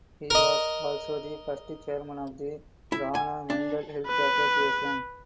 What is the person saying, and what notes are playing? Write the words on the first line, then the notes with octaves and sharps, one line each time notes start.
He was also the first Chairman of the Ghana Mental Health Association.
A#4 D#5
E4
G#5
D4
B4